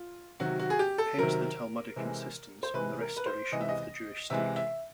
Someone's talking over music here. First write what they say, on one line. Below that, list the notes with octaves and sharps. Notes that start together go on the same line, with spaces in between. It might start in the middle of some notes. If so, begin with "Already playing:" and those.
Hence the Talmudic insistence on the restoration of the Jewish state.
Already playing: F4
C3 D#3 F#3 F#4
F#4
G#4
G4
A4
C3 D#3 F#3 A#4
C3 E3 G#3
C5
C3 E3 G#3 B4
A#4
B4
C5
C3 E3 G#3 D#5
E5
D#5
C3 E3 G#3 E5
E5